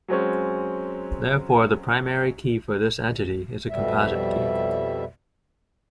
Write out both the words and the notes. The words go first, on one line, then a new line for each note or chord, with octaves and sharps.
Therefore the primary key for this entity is a composite key.
F#3 G#3 C4 C#4
F2 B2 G3 E5